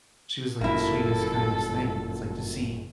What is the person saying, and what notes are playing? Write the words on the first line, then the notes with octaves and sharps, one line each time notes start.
she was, like, "the sweetest, kindest thing," and it's like, to see,
G1 F#2 A#2 A#3 E4 A4